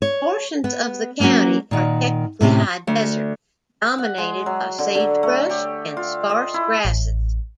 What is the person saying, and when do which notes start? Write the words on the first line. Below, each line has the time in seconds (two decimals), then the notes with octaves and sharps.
Portions of the county are technically high desert, dominated by sagebrush and sparse grasses.
0.02 C#5
0.64 B3
1.20 F#3 A#3 C4 C#4 F#4
1.71 A#2 D#3 F#5
2.41 A2 C3 C#4 G4
2.87 D2
3.98 F#5
4.18 G#3
4.46 F#3
4.79 D3
4.95 D3
5.23 A3
5.49 G4
5.97 F4
6.30 D#5
6.54 E4
6.85 A1